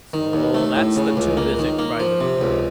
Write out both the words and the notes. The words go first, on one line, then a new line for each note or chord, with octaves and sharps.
"So that's the toon, is it?" cried the cook.
D#3
D#2
A3
A2
C#3
C#2
A#3
D#3
A#3
F3
C3
C#2